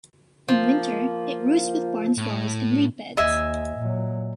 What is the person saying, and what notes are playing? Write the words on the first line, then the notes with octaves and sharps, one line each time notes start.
In winter, it roosts with barn swallows in reedbeds.
F3 A#3
A2
D#2 D#5 E5 G#5
A#2 F#3